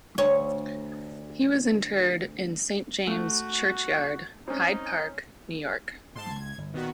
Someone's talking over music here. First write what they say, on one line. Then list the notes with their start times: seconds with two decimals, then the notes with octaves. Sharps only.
He was interred in Saint James Churchyard, Hyde Park, New York.
0.18 D2 C#5
3.07 A3 F#4
4.48 C4 C#4 D#4
6.15 G#2 A5 C6
6.30 C#2 G#6
6.58 G1
6.73 A#2 D#3 B3 F#4